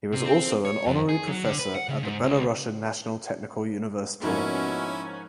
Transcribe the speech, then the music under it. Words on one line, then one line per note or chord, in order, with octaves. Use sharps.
He was also an honorary professor at the Belarusian National Technical University.
C3
C4
C#5
F2
G#4
F#3
D3
B4
F#5
C#3
G#2
C#2
G#2 B2 F3 A#3 C#4 E4